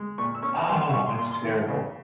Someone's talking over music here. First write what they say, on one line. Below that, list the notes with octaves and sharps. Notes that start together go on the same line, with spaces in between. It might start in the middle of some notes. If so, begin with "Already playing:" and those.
Oh, that's terrible.
Already playing: G#3
A#2 C#6
E6
C#4 C#6
A#5
G3 C6
C6
G3 C#6
C6
A#2 C6
C6
E3
C#3